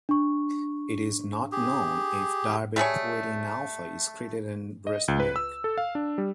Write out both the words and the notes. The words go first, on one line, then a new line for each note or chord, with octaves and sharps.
It is not known if darbepoetin alfa is excreted in breast milk.
D4 C#6
G4 G#4
G3 A3 G#4 C#5
D#5
C#2
B4
E6
A4
F5
D4
G3